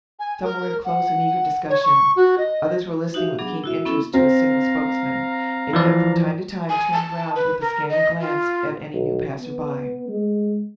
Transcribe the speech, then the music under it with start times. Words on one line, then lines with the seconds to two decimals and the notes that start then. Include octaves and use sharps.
Some were in close and eager discussion; others were listening with keen interest to a single spokesman, and yet from time to time turned round with a scanning glance at any new passer-by.
0.19 G#5
0.44 A#4
0.85 F#5
1.70 C#5
1.83 C#6
2.16 F#4
2.38 D#5
3.14 D#4 F#4 G4 E5 F5
3.39 F#3 B3 D4 G#4
3.64 E4 F#4 E5
3.86 B3 C#4 E4 A4
4.14 C4 F5 A#5
5.73 E3 F3 D5
6.69 G#5
6.94 A5
7.36 B4
7.61 A#4
7.90 D#5
8.21 F4
8.93 B1
9.39 B3
10.09 G#3